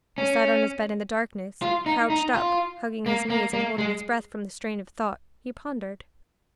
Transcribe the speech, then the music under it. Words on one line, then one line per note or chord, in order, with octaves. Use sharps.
He sat on his bed in the darkness, crouched up, hugging his knees, and holding his breath from the strain of thought, he pondered.
C#4
F4
D#4
D#4
F4
A#3
A#3
A#3
G#3